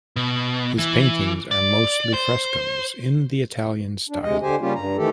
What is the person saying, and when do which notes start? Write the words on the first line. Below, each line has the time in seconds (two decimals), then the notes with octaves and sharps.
His paintings are mostly frescoes in the Italian style.
0.16 B2
0.78 E3
1.51 D5
2.14 C5
4.09 D4
4.23 D2 C3 G#3 D#5
4.42 D3 G4 C5 G#5
4.61 C#3 G3 A#3 C#4 F4 G4
4.75 G2 A#5
4.97 D#3 E3 A3 G4 A4